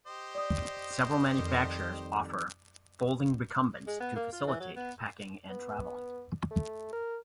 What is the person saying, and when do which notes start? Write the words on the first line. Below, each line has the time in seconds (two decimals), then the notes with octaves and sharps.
Several manufacturers offer folding recumbents to facilitate packing and travelling.
0.07 G4 C5 D#5
0.35 D5 D#6
1.35 F2 D#3 G3
3.87 G#3
4.00 B3
4.15 A#3
4.32 F4
4.47 E3
4.60 F#3
4.76 B3
5.50 B3
6.51 A3
6.93 A#4